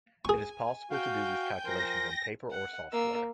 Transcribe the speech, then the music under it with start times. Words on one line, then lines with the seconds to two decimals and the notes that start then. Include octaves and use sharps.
It is possible to do these calculations on paper or software.
0.25 G#4 G#5 C#6
0.91 F#4 F5 G5 G#5 G6
1.65 F3 A#4 C6 A#6
2.50 F#5
2.92 A#3 E6